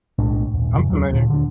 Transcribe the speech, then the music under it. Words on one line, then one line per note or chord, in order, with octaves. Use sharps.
I'm familiar.
B1 A2 G#3 D4
D#1 F2
F#2 C#3
D#2 F#3
D2 A#2
D3 D4